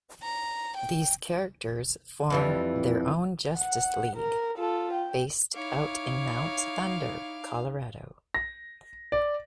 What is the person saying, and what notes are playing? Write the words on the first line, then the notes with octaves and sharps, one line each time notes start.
These characters form their own Justice League, based out in Mount Thunder, Colorado.
A#5
G5
F2 E3 G3
F#5
A#4
F4 A4
G5
D#4 E4 C#5 F5 D6
A#6
D5